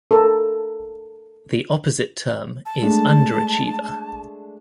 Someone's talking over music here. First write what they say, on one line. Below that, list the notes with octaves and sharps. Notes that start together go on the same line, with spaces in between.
The opposite term is underachiever.
A4 A#4
A5
G#3 A3 D4